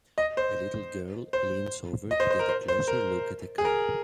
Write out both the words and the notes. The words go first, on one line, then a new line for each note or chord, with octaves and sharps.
A little girl leans over to get a closer look at a cow.
D#5
C5
C5
D#5
C5
C5
A#4
C5
C5
A#4
G#4
A#4